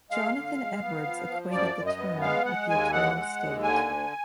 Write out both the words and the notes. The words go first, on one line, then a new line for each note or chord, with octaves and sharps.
Jonathan Edwards equated the term with the eternal state.
G#3 F5
D3
G#3
B3
F3
F3
F#2 D5
F#2
D#5
B3
G#3 F5
G#3 F#5
D#2 G#5
G#3 F#5
G#3
D#2
D3 G#5
D2